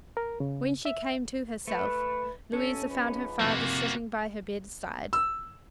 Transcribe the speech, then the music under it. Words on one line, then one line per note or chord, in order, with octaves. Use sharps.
When she came to herself, Louisa found her father sitting by her bedside.
A#4
C#3
E5
A3 B4
A1 C#4 A4
G#2 F3 B4
F2 C3 A#3 F#4
E6